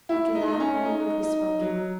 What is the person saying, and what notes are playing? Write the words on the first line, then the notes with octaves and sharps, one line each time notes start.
After that no word was spoken.
E4
D#4
D#4
C#4
D#4
D#4
F#3